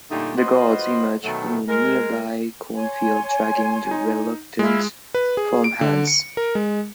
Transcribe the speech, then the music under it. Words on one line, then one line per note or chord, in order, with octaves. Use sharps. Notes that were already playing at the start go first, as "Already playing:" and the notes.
The guards emerge from a nearby cornfield dragging the reluctant farmhands.
A#2 D3 G3 A3 D#4 G4
F4 F#4 B4 C5 D#5
B2 D#3 F#3 A3
G#3 A#4
C#5 G#5 C6
D#4
G#3 E4 F4
B4
G#4
D7
D3
C#7
A#4
G#3